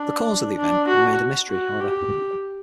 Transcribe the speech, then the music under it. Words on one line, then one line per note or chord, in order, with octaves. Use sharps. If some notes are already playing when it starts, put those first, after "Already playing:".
The cause of the event remained a mystery, however.
Already playing: D4
D4
F#4
F#4
G4